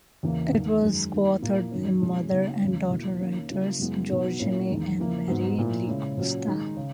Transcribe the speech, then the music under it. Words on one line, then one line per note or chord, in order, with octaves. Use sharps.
It was co-authored by mother-and-daughter writers Georgene and Mary Lee Costa.
E2 C#3 E3 A#3
E2 D#3 A#3
F#2 D#3 G#3
D#3 A#3 E4
A#2 A#3 E4
F#2 D#3 F#3 C#4
B2 G#3 C#4 E4
C#3 F#3 B3 D#4
E2 C#3 G#3 C#4
B2 A#3 E4
D#3 A#3 C#4
C#3 F#3 A#3 E4
F#2 C#3 G#3 B3 E4
B2 F#3 B3 D#4
A#2 A#3 C#4 E4
E2 D#3 G#3
C#3 E3 A#3
G#2 F#3 B3 D#4
A#2 A#3 E4
C#3 G#3 C#4 E4
A#2 F#3 C#4
D#3 G#3 D#4
C#3